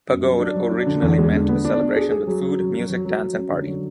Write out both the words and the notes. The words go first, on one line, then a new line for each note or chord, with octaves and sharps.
Pagode originally meant a celebration with food, music, dance and party.
F#2
F#3
D4
F#3
D4
D3
E2
G#3
D3
B3
D4
D4
G#4
G#4
F#3
C#4
F#3
F#3
F#3
F#3
F#3
C#4
D3
F#3